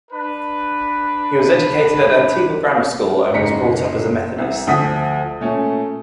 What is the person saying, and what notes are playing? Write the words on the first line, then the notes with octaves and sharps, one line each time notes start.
He was educated at Antigua Grammar School and was brought up as a Methodist.
D4 B4
F#1 G#2 A#5 B6 C#7
C2 C3
D2 F3 D#6 B6
A#2 A3 C#4